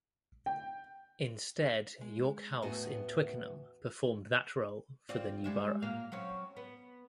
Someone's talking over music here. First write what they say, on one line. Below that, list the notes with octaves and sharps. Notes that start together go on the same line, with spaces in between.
Instead York House in Twickenham performed that role for the new borough.
G5
G#3
E2 A2 B3 F#4 G#5
C4 F4 D5
G3 G#3 E5
A#2 A#3 F5
F#3 C4 C#4
B3